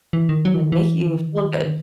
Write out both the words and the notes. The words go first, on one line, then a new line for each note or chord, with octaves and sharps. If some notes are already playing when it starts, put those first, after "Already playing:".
and make you feel good.
E3
D#3
F#3
E3
D#3
E3
D#3
E3
D#3